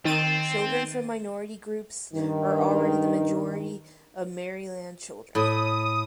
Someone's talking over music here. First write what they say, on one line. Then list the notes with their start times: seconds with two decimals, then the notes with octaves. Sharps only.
Children from minority groups are already the majority of Maryland children.
0.05 D#3 C4 A6 D#7
2.14 G2 D#3
5.35 A2 D#6